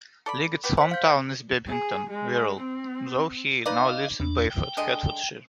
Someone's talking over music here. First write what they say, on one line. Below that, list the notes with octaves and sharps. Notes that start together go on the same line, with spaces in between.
Liggett's home town is Bebington, Wirral, though he now lives in Bayford, Hertfordshire.
A4 D5 B5
B3 G4 B4
C5 F#5 B6
F5 G6
G#4
G#3
C4
D#4 B4 D5 D#5 F5
E2 D4
G5
D3 G#3 D#5